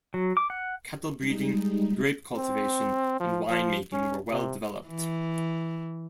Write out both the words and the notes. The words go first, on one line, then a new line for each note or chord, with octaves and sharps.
Cattle-breeding, grape cultivation and wine making were well-developed.
F#3
D6
F#5
G3 G#3 D#4
C4
F3
F3
C#4
C3
E3